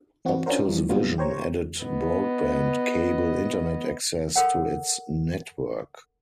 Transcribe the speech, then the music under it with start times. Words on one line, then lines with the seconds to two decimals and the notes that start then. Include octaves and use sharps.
Optus Vision added broadband cable internet access to its network.
0.25 E3 C4 F#4
0.46 C#4 D4 F4 F#4 A#4 C5
0.65 E3 F3 G3
0.89 A#2 D3 F#3 G3 B3 F4
1.18 G4 C5 C#5 A#5 C#6
1.86 B3 D#5
4.36 A4 A#4 C#5 F#5